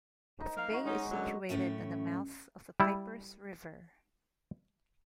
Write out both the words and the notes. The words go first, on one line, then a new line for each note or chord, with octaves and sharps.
The bay is situated on the mouth of the Pipers River.
D#4
A#3 F5
D#4 F#4
G#3 C#4 D#4
F#2 D3 F#3
F#2 A2 F3 C#4 E5
G3 E4